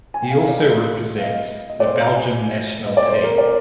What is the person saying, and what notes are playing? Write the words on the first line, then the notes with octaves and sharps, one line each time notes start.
He also represents the Belgium national team.
G#5
G5
F5
D5
D#5
F5
D#5
D#5
D5
C5
A#5
G#5
D#5
D5
C5
A#4
D5